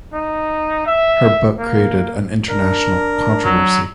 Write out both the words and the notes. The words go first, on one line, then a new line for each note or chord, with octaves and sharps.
Her book created an international controversy.
D#4
E5
A#3
D4 A#4
F#3